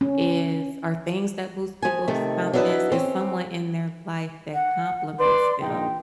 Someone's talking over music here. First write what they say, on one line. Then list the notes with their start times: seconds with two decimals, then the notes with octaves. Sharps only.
is or things that boost people's confidence, is someone in their life that compliments them,
0.01 C#4
1.82 F3 G#5
2.08 C3 D#3 A3
2.53 F#3 D4 E4 A#4 B4 D#5
2.92 C4 C#4
4.54 F#5
5.20 B4 D5 C6
5.61 A#1 D#4 G5